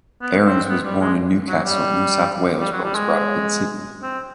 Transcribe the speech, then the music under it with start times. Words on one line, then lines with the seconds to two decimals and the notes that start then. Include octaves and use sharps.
Aarons was born in Newcastle, New South Wales but was brought up in Sydney.
0.21 B3
0.45 C4
0.69 B3
0.85 G3
1.01 G#3
1.48 F#3
1.65 G3
2.60 G3
2.72 F#3
2.84 G3
2.95 G#3
4.03 C4